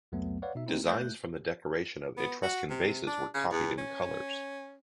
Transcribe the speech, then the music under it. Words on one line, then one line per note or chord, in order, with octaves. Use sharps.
Designs from the decoration of Etruscan vases were copied in colors.
C2 F2 F#3 A3 B3
B4 C#5 D5 F5 F#5
B2 D#4 E5
A3 A#3 C4 D#4 E4
A3 F#6 G6
B3
F#4
C3
D4
C#3
E2
C#4